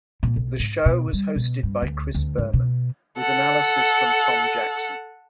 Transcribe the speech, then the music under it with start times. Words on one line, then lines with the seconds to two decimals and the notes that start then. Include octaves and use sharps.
The show was hosted by Chris Berman, with analysis from Tom Jackson.
0.23 A#2
0.36 B1
0.60 G#2
0.86 B2
1.13 G3
1.36 B2
1.63 G2
1.82 D2
2.15 D2
2.38 G#2
2.53 B2
3.18 A4 F#5